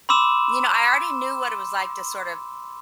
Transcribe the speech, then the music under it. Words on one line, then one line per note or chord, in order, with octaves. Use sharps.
You know, I already knew what it was like to, sort of
B5 C6 D6 E6 E7